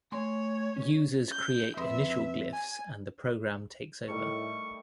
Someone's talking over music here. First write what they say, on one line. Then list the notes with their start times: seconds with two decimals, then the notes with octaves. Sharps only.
Users create initial glyphs and the program takes over.
0.12 A3 C#5 G#5 C6
0.76 C#4
1.31 G6
1.77 F2 B4 E5 C6
2.53 G#5
4.08 A2 D#3 G3 A3 C#6